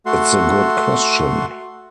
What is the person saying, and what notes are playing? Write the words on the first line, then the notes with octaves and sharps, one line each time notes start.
It's a good question.
A3 F#4 C6